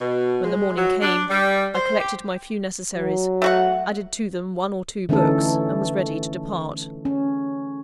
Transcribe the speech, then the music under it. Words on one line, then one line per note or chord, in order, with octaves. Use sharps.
When the morning came, I collected my few necessaries, added to them one or two books, and was ready to depart.
B2
G#3
F#3
D4
G3
C5
G4
F#3
A3 F#4 F#5
D3 E3 A3 C#4 D#4 A4
C#4